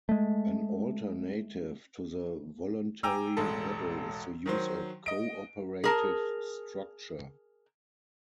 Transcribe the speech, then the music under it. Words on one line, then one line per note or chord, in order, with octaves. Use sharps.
An alternative to the voluntary model is to use a co-operative structure.
G#3 A3
G5 G#5 A#5 D6 E6
E1 A1 G#3 A4
D#3 F#3 C5
D#5 D7
G#4 A#4 A5